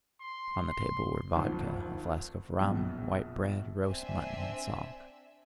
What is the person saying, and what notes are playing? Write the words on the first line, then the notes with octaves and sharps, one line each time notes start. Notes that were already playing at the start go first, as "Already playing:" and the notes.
On the table were vodka, a flask of rum, white bread, roast mutton, and salt.
C6
C6
G#1 D2 F3
A#1 F#2 B2
C4 D4 E5 G#5